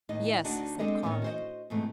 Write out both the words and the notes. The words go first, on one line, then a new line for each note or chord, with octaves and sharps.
"Yes," said Carling.
D#2 A2 D#4 D#5
D2 D4 D#4 F#4 D5 F#5
G#3 C4 D4 G4 A4 D#5
A2 D3 D#3 B3 C#4 D#4
F#4 C5 D#5
G#2 B2 E3 A3 C4